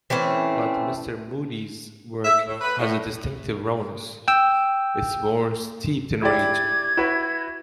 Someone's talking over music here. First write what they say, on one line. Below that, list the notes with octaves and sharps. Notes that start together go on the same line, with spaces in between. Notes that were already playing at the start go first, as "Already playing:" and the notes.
But Mr. Moody's work has a distinctive rawness; it's more steeped in rage.
E3 A3 C4 C#4
E5
A2
B4
A2
G5 E6
E4 G4 D5 G#6
E4 F#4 B4